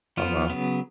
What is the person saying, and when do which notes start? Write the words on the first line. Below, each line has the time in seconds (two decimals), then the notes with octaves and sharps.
oh, wow."
0.17 F3 B3 F4
0.50 C#3 F#3 B3